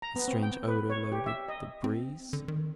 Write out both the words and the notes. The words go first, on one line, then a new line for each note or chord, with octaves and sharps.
A strange odor loaded the breeze.
A#5
B3
C4
G5
B4
C#5
G4
E5
D#5
C4
D3
D#3